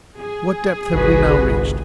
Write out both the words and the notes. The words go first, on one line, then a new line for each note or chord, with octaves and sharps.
"What depth have we now reached?"
G#4
G1 C2 F#4 B4